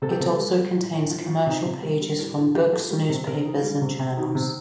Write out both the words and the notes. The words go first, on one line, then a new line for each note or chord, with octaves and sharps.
It also contains commercial pages from books, newspapers, and journals.
C3 A4
G4
C3 A4
G3
G3
A2
A2
F3
F3
C3 D#4
C3
G3 A#4
G3
A2 A#4
A2 A4
F3 G4
F3 A4
G3 A#4
C3
C3 A#4
D#3
G3
C3
C3
D#3
C3